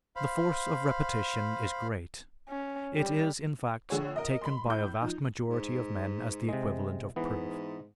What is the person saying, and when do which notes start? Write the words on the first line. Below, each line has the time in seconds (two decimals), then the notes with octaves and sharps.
The force of repetition is great; it is, in fact, taken by a vast majority of men as the equivalent of proof.
0.16 C5 F5 B5
2.48 C#4
2.96 G3
3.90 A#1 D3 G#4 C#5
4.16 A#4 D#5
4.41 B5 C6
4.66 A2 G6
5.02 F3 D#4
5.48 G#2
6.49 C3 G#3
7.16 G#2 E3 B3